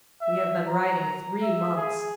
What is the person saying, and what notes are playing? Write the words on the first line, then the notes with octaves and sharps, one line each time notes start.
We have been riding three months.
E5
A#5
E5
G#4